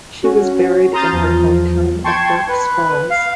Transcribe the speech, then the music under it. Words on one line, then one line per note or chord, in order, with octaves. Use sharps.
She was buried in her hometown of Burk's Falls.
C#4 F#4
A#5 C6 D#6 F6 G6 A6
E2 F3
G5 A5 C6 C#6 G#6
B4
F5